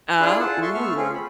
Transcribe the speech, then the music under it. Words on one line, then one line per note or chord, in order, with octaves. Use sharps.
Oh Ooh.
D4 E4 F4 G#4
F4 G#4 A4 F#5 A5
E5 A5 C6 C#6
A3 B3 E5 C#6 F6
C4 C#4 F4 G#4
B5